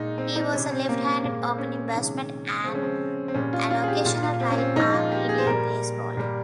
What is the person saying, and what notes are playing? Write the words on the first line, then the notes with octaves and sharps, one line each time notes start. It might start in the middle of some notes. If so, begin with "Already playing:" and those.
He was a left-handed opening batsman and an occasional right-arm medium-pace bowler.
Already playing: A#2 G#3 D#4
C4
D#4
C3 G3 C#4
C4
A#3
A#2 G#3 A#3
C4
C#4
C3 D#3 G#3
C#3 F3 G#3 C4
C#4
C4
C4
A#2 G3 C#4
F4
F4
G#4
G4
A#2 G3 F4
F4
C4
C#4
C4
A#2 F3 G#3 D#4
F4
G4
G#4
C5
A#2 G3 A#4
A#2 G3